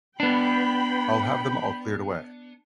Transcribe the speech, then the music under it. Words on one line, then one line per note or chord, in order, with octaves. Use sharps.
I'll have them all cleared away.
B3 D4 G5 B5